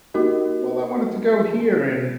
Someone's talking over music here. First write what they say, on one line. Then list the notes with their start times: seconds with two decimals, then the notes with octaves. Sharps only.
"Well, I wanted to go here and
0.14 A#3 D#4 F#4 G4 A#4 D#5